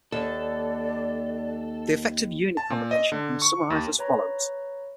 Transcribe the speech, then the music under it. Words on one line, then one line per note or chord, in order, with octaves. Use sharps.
The effect of unit propagation can be summarized as follows.
D#2 A4 D5
A5
A#2
D#5
D3
C#6
D#2
B4 C#5 A#5 B5